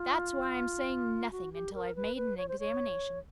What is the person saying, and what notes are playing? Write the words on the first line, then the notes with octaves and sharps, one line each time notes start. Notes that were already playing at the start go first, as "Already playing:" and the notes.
That's why I'm saying nothing until I've made an examination.
Already playing: F4
F#4
G4
A#4
B4
B4
C#5
C5
C#5